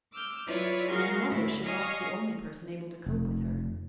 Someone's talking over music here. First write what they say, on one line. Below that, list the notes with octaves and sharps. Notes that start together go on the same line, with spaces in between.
In her mother she lost the only person able to cope with her.
D6 E6 F6 G6
F#3 E4 F4 B4 C#5 D5
F#4 G#4 A#4 F5 C6 C#6
D2 A2 E4
C#5 D#5 F5 G#5 C#6 D#6
F1